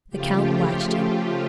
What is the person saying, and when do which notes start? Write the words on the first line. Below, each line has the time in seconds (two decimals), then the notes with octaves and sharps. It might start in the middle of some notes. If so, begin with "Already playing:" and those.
The count watched him.
0.10 C#3 F3 A3 F4 G4